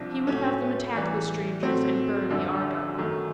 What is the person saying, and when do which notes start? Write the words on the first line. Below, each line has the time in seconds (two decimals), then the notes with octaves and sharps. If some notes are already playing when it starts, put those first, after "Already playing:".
He would have them attack the strangers and burn the Argo.
Already playing: C2 C3 F3 D4
0.27 A2 F#3 A3 C#4
0.95 A2 E3 G3
1.62 A2 F#3 A3 C4
2.30 F#2 D3 G3
2.98 F#2 D#3 F#3 A3